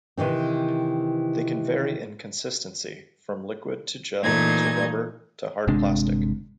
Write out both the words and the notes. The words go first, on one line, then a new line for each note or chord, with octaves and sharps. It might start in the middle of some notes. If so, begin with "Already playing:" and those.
They can vary in consistency from liquid to gel to rubber to hard plastic.
C3 D#3 E3 C4
A#2 E3 A3 D#4 G#6
G1 C3 G#3 D4